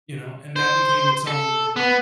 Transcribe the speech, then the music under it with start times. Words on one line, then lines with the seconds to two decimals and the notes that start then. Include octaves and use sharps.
you know, and that became its own
0.56 C5
1.27 A4
1.76 B3